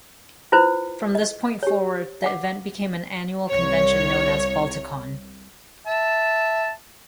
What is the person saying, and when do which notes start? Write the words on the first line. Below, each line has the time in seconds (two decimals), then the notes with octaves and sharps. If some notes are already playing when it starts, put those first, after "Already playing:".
From this point forward, the event became an annual convention known as Balticon.
0.52 E4 F4 B4 C5
1.15 D#5
1.63 G4 C#5
2.22 F5 F#5 D6
3.51 C2 C#5
5.87 E5 A5